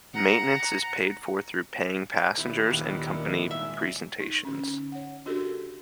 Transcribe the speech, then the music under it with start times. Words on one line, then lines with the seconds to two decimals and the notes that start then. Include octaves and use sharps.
Maintenance is paid for through paying passengers and company presentations.
0.14 F#5 A#5
2.37 A#2 D#3 B3 E4 G4 B4
2.71 D#2 D3 G3 C#4
3.51 G#2 E5
4.20 D#4
4.45 D3 C#4
4.92 C#5 F#5
5.26 D4 F#4 G4 A4 A#4